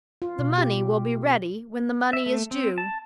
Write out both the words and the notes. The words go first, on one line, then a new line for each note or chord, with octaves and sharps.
The money will be ready when the money is due.
F4
B2
G4
E5
A3
C4
A5